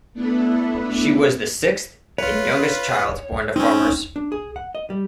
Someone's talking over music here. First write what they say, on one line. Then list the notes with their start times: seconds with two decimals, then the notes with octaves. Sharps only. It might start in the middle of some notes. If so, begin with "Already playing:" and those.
She was the sixth and youngest child born to farmers.
0.13 A3 B3 D4 E4 A4 B4
2.18 F4 B4 C#5
3.56 C4 C#4 D#4
4.16 D4
4.32 G#4
4.56 F#5
4.75 D#5
4.90 G3